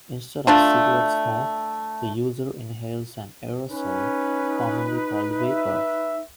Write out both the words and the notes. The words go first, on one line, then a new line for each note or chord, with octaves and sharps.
Instead of cigarette smoke, the user inhales an aerosol, commonly called vapor.
A3 D4 F4
C#4 D#4 B4
E5